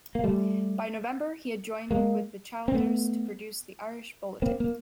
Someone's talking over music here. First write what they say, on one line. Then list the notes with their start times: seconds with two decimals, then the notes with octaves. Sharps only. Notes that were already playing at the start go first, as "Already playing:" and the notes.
By November he had joined with Childers to produce the Irish Bulletin.
0.15 A#3
0.24 G3 A3
1.91 G#3 A#3
2.68 C4
2.74 A3 B3
4.42 A#3 C4
4.60 A#3